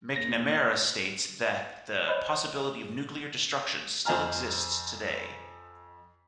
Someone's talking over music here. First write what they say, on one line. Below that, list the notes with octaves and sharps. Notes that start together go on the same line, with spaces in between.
McNamara states that the possibility of nuclear destruction still exists today.
D#2 F3 A#6
C5 C#5 D#5 B5
F2 C5 D#5 G#5 A#5 F6